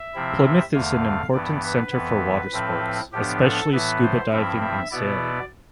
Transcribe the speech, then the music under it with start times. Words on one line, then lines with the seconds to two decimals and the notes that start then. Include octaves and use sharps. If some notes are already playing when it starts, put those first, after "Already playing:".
Plymouth is an important centre for watersports, especially scuba diving and sailing.
Already playing: E5
0.14 C3 F3 C4 E4
0.73 E2 D3 A3 F5
1.33 G2 E3 B3 D5
1.63 B4
1.92 F2 E3 B3
2.53 A2 F3 C4 E4
3.12 A2 F3 B3 D4 G4
3.43 A4
3.73 A2 E3 B3 E4 B4
4.02 C5
4.32 G2 F3 C4 E4 E5
4.61 E5
4.91 B2 B3 E4 D5